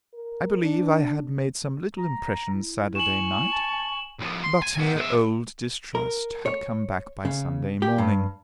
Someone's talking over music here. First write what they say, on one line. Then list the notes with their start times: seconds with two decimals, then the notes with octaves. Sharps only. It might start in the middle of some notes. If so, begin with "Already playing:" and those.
I believe I had made some little impression Saturday night, but her old distrust had come back by Sunday morning.
0.14 A#4
0.62 D4
1.98 A#5
2.53 E4
2.95 G#5 C#6 E7 F#7
3.52 A5
4.19 C2 F3
4.44 C6
4.63 G#5
4.78 D#2 B3
4.97 G#3 E5
5.95 A#4
6.46 C#5
7.25 C#3
7.82 G4
7.98 G2